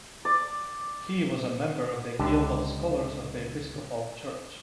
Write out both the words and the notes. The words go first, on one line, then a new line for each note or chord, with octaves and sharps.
He was a member of the Guild of Scholars of The Episcopal Church.
D5
C#2 D3 G4 A5